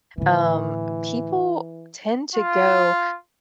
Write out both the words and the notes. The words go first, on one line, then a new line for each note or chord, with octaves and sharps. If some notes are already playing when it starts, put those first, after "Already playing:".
um, people tend to go
A2 D3 E3
F4